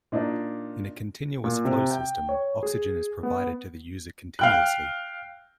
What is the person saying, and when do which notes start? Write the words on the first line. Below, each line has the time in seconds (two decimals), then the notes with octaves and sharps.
In a "continuous-flow system", oxygen is provided to the user continuously.
0.12 A#2 D4 D#4 D5
1.44 A#2
1.65 C3
1.91 G5
2.29 C#5
2.63 G#4
3.23 B3
4.39 F5 G5 F#6